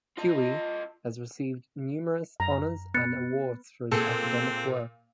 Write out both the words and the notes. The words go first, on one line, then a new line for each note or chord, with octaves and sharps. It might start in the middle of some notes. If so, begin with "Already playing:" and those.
Huey has received numerous honors and awards for his academic work.
F4 D#5
F#2 A#5
B3 F#6 A6 C#7
A#2 C4 G#4 A4